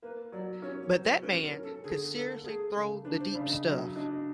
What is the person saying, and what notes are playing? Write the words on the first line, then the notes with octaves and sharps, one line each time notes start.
But that man could seriously throw the deep stuff.
A#3 B4
F#3 D5
C#4 C#5
C#5
F#3 C5
C#4 B4
A#4
C#4
A4
D3 G#4
A#3 A4
A3 G#4
C#3
D4 B4
C5
C#3 D5
D#5
F#3 E5
D4 D#5